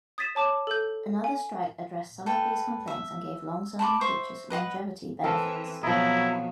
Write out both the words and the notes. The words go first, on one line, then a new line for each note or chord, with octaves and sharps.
Another strike addressed some of these complaints and gave long-serving teachers longevity benefits.
D#6 G#6 A6 B6 D#7 E7
C#5 A5 D6 E7
A4 G6
G#5
A4 B4 G5
E5
A5 B5 C6 D6
C5 E5 C#6
B4 D#5 F5 F#5
E3 C4 A4 A#4
B2 F3 F#3 E4 D#5 A#5